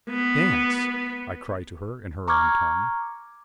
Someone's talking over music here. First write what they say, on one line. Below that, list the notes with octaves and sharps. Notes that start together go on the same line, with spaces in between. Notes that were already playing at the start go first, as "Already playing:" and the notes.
"Dance," I cried to her in her own tongue.
B3
A#5 C#6 D6 F6 G#6